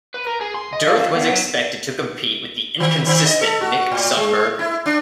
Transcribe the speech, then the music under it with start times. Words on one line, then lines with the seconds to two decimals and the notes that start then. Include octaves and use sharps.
Dearth was expected to compete with the "inconsistent" Nick Sundberg.
0.14 B4
0.27 A#4
0.41 G#4
0.54 C6
0.73 D#5
0.87 F3
0.99 F2
1.14 E2
1.29 F#3
2.80 D#3
3.07 D#3
3.26 D#5
3.41 A4
3.61 F#4
3.92 A2
4.17 G#3
4.59 E4
4.86 D4